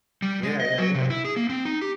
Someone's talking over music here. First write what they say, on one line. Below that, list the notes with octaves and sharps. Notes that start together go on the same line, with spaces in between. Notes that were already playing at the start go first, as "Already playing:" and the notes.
Yeah, yeah, yeah.
G3
G#3
D#5
F#3
C3
E4
G#4
A#3
C4
D#4
G4